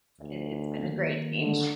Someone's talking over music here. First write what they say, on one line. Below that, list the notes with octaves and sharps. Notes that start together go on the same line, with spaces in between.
it it's been a great change.
D2
D#3 A#3
D3